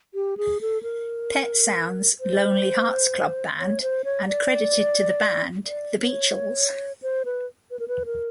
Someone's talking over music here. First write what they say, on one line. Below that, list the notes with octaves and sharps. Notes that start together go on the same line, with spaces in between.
Petsound's Lonely Hearts Club Band and credited to the band The Beachles.
G4
G#4
A4
A#4
C5
C#5
C5
C#5
D5
D5
C#5
C5
B4
B4
A#4
B4
A#4